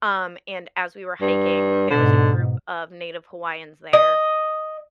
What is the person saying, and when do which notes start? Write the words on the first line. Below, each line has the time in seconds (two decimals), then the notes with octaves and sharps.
um, and as we were hiking, there was a group of native Hawaiians there
1.21 G2
1.90 G#2 B2 D3
3.93 D#5